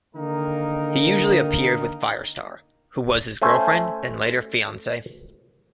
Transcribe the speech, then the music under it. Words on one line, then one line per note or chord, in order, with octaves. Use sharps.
He usually appeared with Firestar, who was his girlfriend then later fiancee.
D3 D#3 A#3 D#4 A#4
A3 C#4 C5 G#5